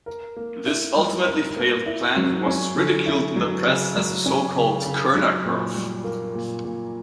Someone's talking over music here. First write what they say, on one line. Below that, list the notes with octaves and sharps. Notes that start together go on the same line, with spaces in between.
This ultimately failed plan was ridiculed in the press as the so-called Kerner Curve.
A#4
A#3
E4
G3
A#4
A#3
E4
F#3
C#4
D3
E4
F#3
C#3
F#3
C#4
C#3
C#3
F#3
A#2
G3
A#3
A#2
A#2